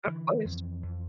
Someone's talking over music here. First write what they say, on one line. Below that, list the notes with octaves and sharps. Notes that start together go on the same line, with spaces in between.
Uh, honest
D3 E3
F2
F2